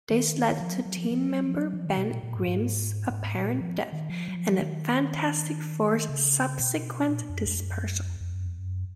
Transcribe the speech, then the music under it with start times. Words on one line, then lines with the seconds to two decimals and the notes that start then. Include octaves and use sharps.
This led to team-member Ben Grimm's apparent death and the Fantastic Four's subsequent dispersal.
0.10 D#3
0.60 F3
0.73 F#3
0.85 F#3
0.97 F3
1.11 F3
1.27 F#3
1.44 F3
1.61 F#3
1.73 F3
1.86 D#3
1.97 B2
2.11 A#2
2.23 A#2
2.36 G#2
2.47 G#2
3.10 G#2
3.35 A#2
3.60 F3
3.92 D#3
4.09 F3
4.28 F#3
4.34 F3
4.59 D#3
6.09 C#3
6.60 B2
7.09 A#2
7.29 F2
7.34 F#2
7.46 F2
7.59 F#2
8.08 F2
8.20 F2
8.33 F#2
8.46 F2
8.58 F#2